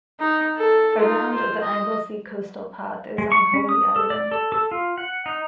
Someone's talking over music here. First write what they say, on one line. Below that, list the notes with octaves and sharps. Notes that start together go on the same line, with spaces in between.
Around of the Anglesey Coastal Path is on Holy Island.
D#4
A4
D#4 F4
F4 C5
D#5
G#3
C#6
C#4
D#6
A4
D5
A4
A4
F4
F#5
D#4